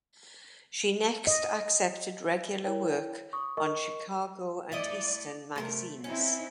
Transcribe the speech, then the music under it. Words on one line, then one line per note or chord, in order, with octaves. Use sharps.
She next accepted regular work on Chicago and Eastern magazines.
D#5
E4 A#4 C#5 G5
C#6 D#6
A#4 D#5 C#6
A3 E4 D5 D#5
C3 A3 A4 A#4
C4 C#4 D#4 E4